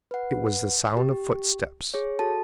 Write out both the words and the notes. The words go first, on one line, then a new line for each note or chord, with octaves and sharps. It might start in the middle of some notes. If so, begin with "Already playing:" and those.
It was the sound of footsteps!
B4 F#5
G4
G#4 C#5
F#4 A4 A5